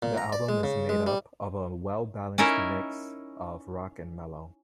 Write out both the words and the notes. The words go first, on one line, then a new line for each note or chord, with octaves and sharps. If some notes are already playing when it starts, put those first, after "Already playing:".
The album is made up of a well-balanced mix of rock and mellow.
A#2
A#5
D5
G#3
C#3
G#3
G3
C#4 D#4 E4 A#4 E5